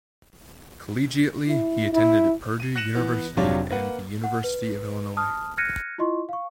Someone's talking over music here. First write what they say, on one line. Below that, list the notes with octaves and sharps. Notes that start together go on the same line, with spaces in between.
Collegiately, he attended Purdue University and the University of Illinois.
E4
E4
D#7
F#6 A#6 C#7 D#7 E7 F#7
E3 B3
F1 C3 F#3 D4 F4 C#5
A#3 B4 F#5
F#5
B4
A5 D#6 F6
F6 F#6 G#6 A#6 C#7 D#7
E4 F4 D#5 C6 C#6
F5 C#6